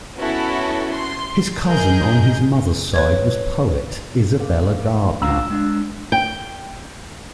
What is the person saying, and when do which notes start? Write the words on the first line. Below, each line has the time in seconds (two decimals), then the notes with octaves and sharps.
His cousin on his mother's side was poet Isabella Gardner.
0.18 B3 C#4 E4 F#4 A4
0.93 C6
1.67 G#4 A#4 D#5 G6
2.94 B4 C#5 G#6
4.39 A#3
5.22 D4 F5 A#5 E6
5.50 G#3 D4
6.12 G5